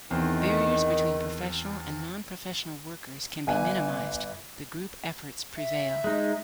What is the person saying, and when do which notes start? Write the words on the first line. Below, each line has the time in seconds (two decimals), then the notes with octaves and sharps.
Barriers between professional and non-professional workers can be minimised, the group efforts prevail.
0.11 E2 D#3 C4
3.47 G1 G#5
5.57 E5
6.04 G#3 D#4